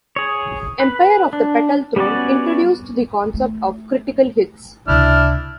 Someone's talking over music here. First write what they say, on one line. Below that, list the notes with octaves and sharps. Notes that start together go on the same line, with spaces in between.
"Empire of the Petal Throne" introduced the concept of critical hits.
G#4 C#5
B4
D4
G3 B3 C#4 F#4 D5
A3
C#2 C3 D4 E4 F6